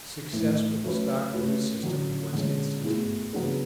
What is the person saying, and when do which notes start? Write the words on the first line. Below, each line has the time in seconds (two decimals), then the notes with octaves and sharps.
Success with the "stock" news system was instantaneous.
0.33 A2 E3 A3
0.84 F#3 A3 C#4 F#4 B4
1.34 A3 C#4 F#4 B4
1.83 D3 F#3 C#4
2.33 D3 G#3 C#4
2.83 B2 A3 E4 G#4
3.33 C#3 F#3 B3 D4 G#4